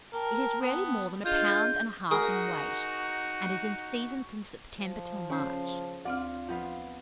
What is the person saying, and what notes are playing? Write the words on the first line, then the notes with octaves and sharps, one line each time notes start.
It is rarely more than a pound and a half in weight, and is in season from September till March.
A#4 G5 A5
B3
D4 F4 G#4 D#5 G6
D#4 F#4 G#4 A#4
F3
C#3 C5
D2 C4 F4 D5 F6
F3 B3 F5